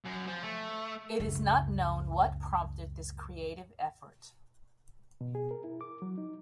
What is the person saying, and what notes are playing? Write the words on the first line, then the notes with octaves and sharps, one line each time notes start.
It is not known what prompted this creative effort.
F#2
F3
A3
C#2 F#2
B2
G#4
A#4
E4
D6
F#3
D#4